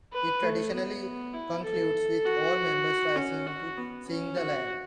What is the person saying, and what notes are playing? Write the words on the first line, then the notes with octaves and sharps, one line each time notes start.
It traditionally concludes with all members rising to sing The Land.
B4
A3
B3
E4
A4
F#4
C#4
F#4
B3
C#4
F#4